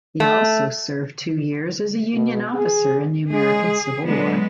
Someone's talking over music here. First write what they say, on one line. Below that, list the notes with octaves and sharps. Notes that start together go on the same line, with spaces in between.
He also served two years as a Union officer in the American Civil War.
A3
B2
G#4
G#3 G#4
D3 F#3 G#3 B3